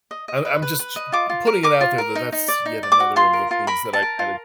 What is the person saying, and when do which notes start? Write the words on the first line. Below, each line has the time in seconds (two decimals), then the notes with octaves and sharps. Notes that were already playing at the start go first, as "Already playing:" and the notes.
I'm I'm just putting it out there that that's yet another of the things that I kinda
0.11 D#5
0.28 D#5
0.45 B4
0.62 B4
0.79 B4
0.96 D#5
1.12 F4 D6
1.29 F4
1.47 A#4
1.63 A#4 D6
1.81 F4
1.98 A#4
2.15 D#4
2.32 D#4
2.48 D5
2.65 D#4
2.83 D5
2.92 D6
3.00 F#4
3.16 F4 C6
3.33 A#4
3.51 F4
3.67 A#4 B5
3.85 A#4
3.93 A5
4.02 A#4
4.19 F4